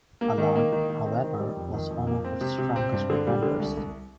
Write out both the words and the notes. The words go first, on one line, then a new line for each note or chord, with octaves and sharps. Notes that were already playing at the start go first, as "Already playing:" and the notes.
Allard, however, was one of its strongest defenders.
A#3
D#3
A#3
D#3
D#3
C4
D#3
G3
F2
D#3
F2
A#3
C4
C3
C3
C4
G2
D3
G3
D3
C2
C2